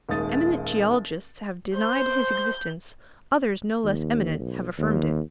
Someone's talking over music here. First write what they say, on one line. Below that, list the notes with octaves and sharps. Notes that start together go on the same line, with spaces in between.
Eminent geologists have denied his existence, others no less eminent have affirmed it.
D#1 D#2 D#3 G#3 D#6 A6
C5 G6
D#2
B1
D#2